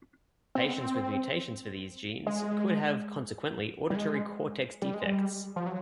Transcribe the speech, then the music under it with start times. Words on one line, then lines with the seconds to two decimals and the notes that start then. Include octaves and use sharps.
Patients with mutations for these genes could have consequently auditory cortex defects.
0.55 C4
0.65 B3
0.74 C4
2.27 G#3
3.90 G3
3.96 G#3
4.82 G3
4.94 G#3
5.07 G3
5.56 F3
5.66 F#3